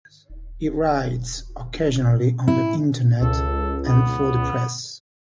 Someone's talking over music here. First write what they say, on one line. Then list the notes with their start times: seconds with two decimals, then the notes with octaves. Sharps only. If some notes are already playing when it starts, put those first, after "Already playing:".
He writes occasionally on the internet and for the press.
0.30 D#1
2.48 A2 E4
3.21 C#2 A4
3.86 B3